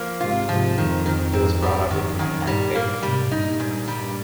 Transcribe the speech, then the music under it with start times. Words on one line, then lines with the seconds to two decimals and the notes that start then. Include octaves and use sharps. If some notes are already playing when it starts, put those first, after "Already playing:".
He was brought up in the Mennonite faith.
Already playing: F3 A#3
0.21 G#2 C3 F4
0.49 G#2 C3 F3
0.77 F2 G#2 D#3
1.06 D#3
1.33 C4
1.62 G3
1.91 D#3
2.19 D#3
2.46 G2 A#2 G3
2.75 G2 A#2 A#3
3.03 G#2 C3 G3
3.31 G2 A#2 D#4
3.60 G#2
3.88 G3